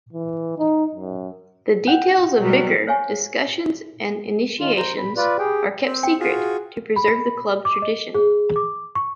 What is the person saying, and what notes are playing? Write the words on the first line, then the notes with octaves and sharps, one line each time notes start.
The details of bicker, discussions and initiations are kept secret to preserve club tradition.
E3
D#4
F#2
F#5 G5
B2 F#3 G3
C5 C#5 F5 G#5 C#6
D#3 F4
C5 A#5
B5
F4 B4 D5
G4 G#4 G5
C4
G5
F4 F#4 G#4
B5
D6
D#5
G#4
D6
C#6